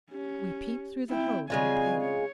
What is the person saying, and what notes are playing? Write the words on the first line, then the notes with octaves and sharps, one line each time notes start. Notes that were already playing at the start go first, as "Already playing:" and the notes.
We peeped through the hole in the paling.
C#4 G4
C4 E4 E5 G5
C#3 G3 G#3 C4 F4 D5 G#5
C#5